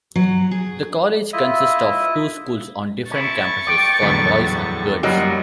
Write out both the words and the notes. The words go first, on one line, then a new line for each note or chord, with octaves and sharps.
The college consists of two schools on different campuses for boys and girls.
F#3
G#4
E4 F4 D#5 E5
C#4 E4 C#6 A6
D5 G5
E2 A2 D3 F#3 G3 A3
F#2 F#3 G3 A#3 F4 D#5 D7